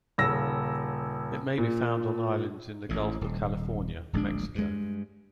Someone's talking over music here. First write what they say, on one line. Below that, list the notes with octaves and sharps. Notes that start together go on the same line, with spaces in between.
It may be found on islands in the Gulf of California, Mexico.
D#1 C#3 E6 A#6
A#2
A1 A2
D#1
D1 A#1 G#3 D4
G2 G#3